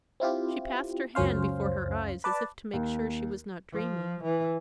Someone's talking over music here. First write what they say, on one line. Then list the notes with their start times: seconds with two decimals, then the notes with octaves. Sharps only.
She passed her hand before her eyes, as if to make sure she was not dreaming.
0.20 C4 E4 F4 G4
1.15 C#2 F#2 C#4 C5 F5
2.24 B4 D5 A5
2.73 D#2
3.73 F3
4.23 E3